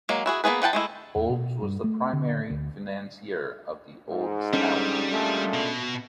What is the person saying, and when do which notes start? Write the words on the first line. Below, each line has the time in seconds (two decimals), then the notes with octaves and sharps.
Olds was the primary financier of the Olds Tower.
0.09 F#3 G#3 A#3
0.26 E4 F#4 G#4
0.44 A#3 B3 F4 G#4 B4
0.62 E3 F#5 G5 A5
0.73 G#3 A3 E4
1.15 E2
1.29 B2
1.62 G2
1.84 A3
2.13 D3
2.50 D2
4.08 G#2
4.53 G3 C#4 D4 A4
5.11 A#2 G#3 A3
5.54 B2